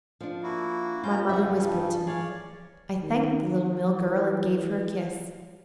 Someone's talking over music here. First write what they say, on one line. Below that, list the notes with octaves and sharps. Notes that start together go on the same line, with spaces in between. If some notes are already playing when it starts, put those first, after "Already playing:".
My mother whispered to me--I thanked the little mill-girl, and gave her a kiss.
F3 D4
A#3 E4 F#4
C#4 F4 A#4 G6
G2 C#3 G3 E5 F#5
F3
G#4 C#5 D5 F5
D#3
E3